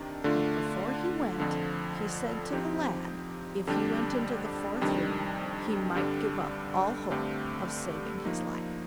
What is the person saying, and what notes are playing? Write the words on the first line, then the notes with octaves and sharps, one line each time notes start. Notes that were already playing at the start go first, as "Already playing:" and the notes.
But before he went, he said to the lad, if he went into the fourth room he might give up all hope of saving his life.
Already playing: C3 D#3 D4
D3 A3 D4 F4
F2 D3 F3
F3 C4 D#4 G4
F2 D3 G3 D4 G4
F2 C3 D#3 G3 D4
G2 D3 G3 D4
G2 D3 A3 C4 G4
F3 A#3 D#4